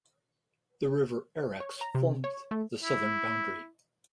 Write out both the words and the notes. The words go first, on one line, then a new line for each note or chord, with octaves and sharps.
The river Arax formed the southern boundary.
C#5
A#5
C3
C#5
A3
E4